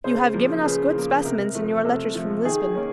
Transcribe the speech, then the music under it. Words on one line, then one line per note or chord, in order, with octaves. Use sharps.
You have given us good specimens in your letters from Lisbon.
C#3 C5
F3 A#3
C#3 B4
F3 A#3
C3 A#4
F3 A3
C3 A4
F3 A3
D#3 G#4
A#3 C#4